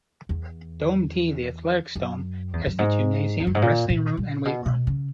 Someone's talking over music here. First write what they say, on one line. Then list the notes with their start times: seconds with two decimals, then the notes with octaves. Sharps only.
Dome D, the athletics dome, has the gymnasium, wrestling room and weight room.
0.29 E2
1.96 F#2
2.53 E2
2.66 F#2
2.79 G#2
3.39 E2
3.47 F#2
3.55 G#2
3.62 A#2
3.89 A#2
4.17 A#2
4.45 B2
4.66 B2
4.87 C#3